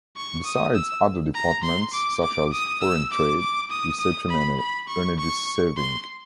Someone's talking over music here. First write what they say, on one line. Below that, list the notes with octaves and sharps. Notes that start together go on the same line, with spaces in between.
Besides other departments such as Foreign Trade, Reception and Energy Saving.
C#6
D#6
E6
A#5
C6
D6
D6
D#6
E6
D6
D6
D#6
D#6
B5
B5
C#6
C#6
C6